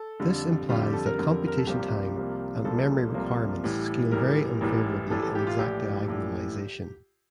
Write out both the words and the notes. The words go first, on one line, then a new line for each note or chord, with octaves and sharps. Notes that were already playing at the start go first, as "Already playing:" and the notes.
This implies that computation time and memory requirements scale very unfavorably in exact diagonalization.
Already playing: A4
F2 D3 G3
F2 D3 G3 F4
G4
A4
A#4
F2 D3 G3
A#4
A4
C2 C3 F3 A#3 G4
C2 C3 F3 A#3
C2 C3 F3 A#3 A4
C2 C3 F3 A#3
A1 A2 E3 G3
A1 A2 E3 G3 A#4
A1 A2 E3 G3
A1 A2 E3 G3 A4
A4
G4
F4
A#1 A2 E3 G4
A#1 A2 E3